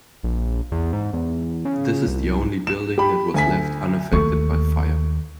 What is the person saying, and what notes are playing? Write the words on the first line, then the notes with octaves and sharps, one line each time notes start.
This is the only building that was left unaffected by fire.
A#1
E2
G#2
E2
C#3
C2
E7
G4 B5
D2 G#5 B6
D#2 A3 C#6